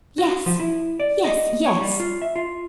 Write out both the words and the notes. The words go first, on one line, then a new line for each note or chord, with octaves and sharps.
Yes, yes, yes!
F#4
F3
E4
D5
D#5
C#5
G3
F4
E5
F4